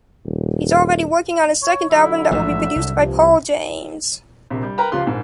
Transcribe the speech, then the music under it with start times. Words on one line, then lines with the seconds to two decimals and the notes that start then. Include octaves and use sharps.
He’s already working on his second album that will be produced by Paul James.
0.26 D#1
1.62 C#5
1.90 D3 F#3 E4
2.31 A1 G#2 F3 E5
2.76 C2
2.92 G2 C3 F3
4.50 A#1 C3
4.63 G3
4.78 A#4 B4 G5 A#5 B5
4.92 C#2 F3 F4 G4 C6 F#6
5.06 A#1 G#2